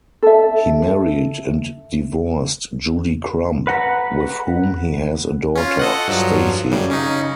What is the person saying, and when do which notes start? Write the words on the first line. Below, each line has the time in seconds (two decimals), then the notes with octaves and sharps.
He married and divorced Judy Crump, with whom he has a daughter Stacy.
0.23 A4 E5
3.67 B4 F#5 A#5 B5
5.55 C#4 F4
5.79 A4 D#5 F#5
6.07 G2 F3 F#3
6.72 F#2 C#3 G3
6.89 C#3 C#4 D#4